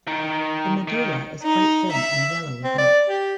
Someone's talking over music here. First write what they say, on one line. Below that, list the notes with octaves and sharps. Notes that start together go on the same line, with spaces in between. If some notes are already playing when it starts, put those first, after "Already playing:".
The medulla is quite thin and yellow above.
D#3 D#4
D#3
D#4
E5
C4
D5
G4